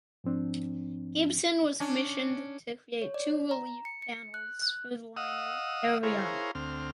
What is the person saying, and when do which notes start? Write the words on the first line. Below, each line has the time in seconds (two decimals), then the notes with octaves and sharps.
Gibson was commissioned to create two relief panels for the liner "Oriana".
0.24 G#2 F3 C4 D4
1.80 C#4 D4
3.02 C#5
3.14 D5
3.51 A#5
3.85 C#7
4.02 C#7
4.34 F#6
4.62 F#6
5.17 D#5 F5 F#5 D#6 E6
6.03 E4 G#4 A#4 C5 C#5 F5
6.55 D2 C4 F6